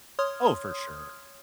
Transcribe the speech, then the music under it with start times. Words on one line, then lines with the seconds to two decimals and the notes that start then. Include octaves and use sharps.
Oh, for sure.
0.19 C#5 C6 D#6 F6 G#6